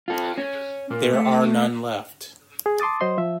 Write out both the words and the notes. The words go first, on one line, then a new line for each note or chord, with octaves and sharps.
There are none left.
F4 A4
C#4
A#2 A#3
A3
G#4
A5 C6 D6 D#6 A6
F#3 C5 D#5 C6
F3 E5